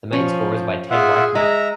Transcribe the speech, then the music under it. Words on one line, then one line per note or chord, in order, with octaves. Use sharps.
The main score is by Ted Reichman.
F3 C#4
F4 G#4 E5 F#5
G#3 E5 A#5